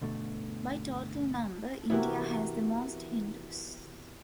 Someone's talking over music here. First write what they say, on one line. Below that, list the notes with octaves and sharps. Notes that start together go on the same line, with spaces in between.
By total number, India has the most Hindus.
G1 B2 D3 A3
C3 E3 B3 E4 F#4 G4 A#4